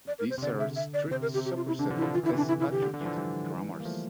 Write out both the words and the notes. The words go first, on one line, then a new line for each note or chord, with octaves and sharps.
These are a strict superset of S-attributed grammars.
D5
A#4
C5
C3
D3 D5
E5
E5
D5
C3 C5
A#4
G4
C3
G4
F4
E4
D3 D4
E3
D3 F3
E4
D3 F3
E3 F4
D3 E4
C3 E3 D4
E4
E4
G4
D3
D3
E3
D3 F3
E3 G3
A#3
F3 A3